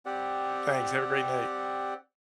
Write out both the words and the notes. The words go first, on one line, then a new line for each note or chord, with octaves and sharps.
Thanks, have a great night.
C4 G4 D5 F#5